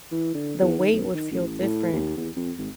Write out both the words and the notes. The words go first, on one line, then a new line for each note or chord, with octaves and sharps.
The weight would feel different.
E3
D3
E2
D#3
B1
D#3
A1
A2
D#2
E2
F2
G#1